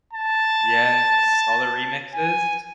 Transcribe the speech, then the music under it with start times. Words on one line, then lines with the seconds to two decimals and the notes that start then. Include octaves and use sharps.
Yes, all the remixes.
0.13 A5
2.14 G#5